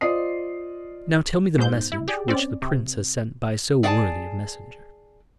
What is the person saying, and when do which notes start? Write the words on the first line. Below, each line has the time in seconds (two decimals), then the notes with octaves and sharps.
"Now tell me the message which the Prince has sent by so worthy a messenger."
0.01 F4 C5 D5 D#5 D#6 C7
1.58 G#2 B2 C5 G6
1.92 E4
2.08 G4 G#4 D5
2.28 C4 C#4 D5
2.62 C3
3.83 G#4 D5 E5 F#5 G#5 A5